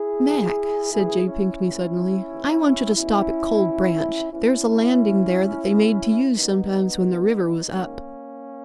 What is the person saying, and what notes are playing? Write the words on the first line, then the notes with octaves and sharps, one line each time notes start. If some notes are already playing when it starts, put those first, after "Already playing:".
"Mac," said J. Pinkney suddenly, "I want you to stop at Cold Branch. There's a landing there that they made to use sometimes when the river was up."
Already playing: E4 G#4
D#2 C#3 E3
D#2 C#3 E3 E4 G#4
C#4 E4
D#2 D#3
D#2 C#3 E3
E2 B2 C#4 E4
C#2 B2
E2 C#3 E3 C#4 E4
E2 B2
D#2 C#3 E3
F#2 D#3 B3 D#4
E2 B2
G#2 D#3 A#3 C#4